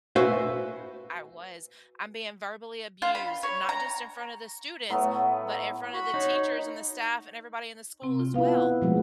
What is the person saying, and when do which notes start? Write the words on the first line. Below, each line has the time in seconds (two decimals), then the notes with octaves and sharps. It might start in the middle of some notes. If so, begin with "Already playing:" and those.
I was. "I'm being verbally abused, not just in front of the students, but in front of the teachers and the staff and everybody in the school as well,"
0.16 F#4 B4 C5 E5 F5 G#5
3.02 F4
3.15 B5
3.43 C#5
3.69 A#5
4.90 A2 F#3 A3 B3
5.93 F#4 B5
6.14 D#4 C#5
8.02 C3 C4
8.20 F4
8.34 B3 E4 F4 F5
8.82 B2 F3 G#3 A3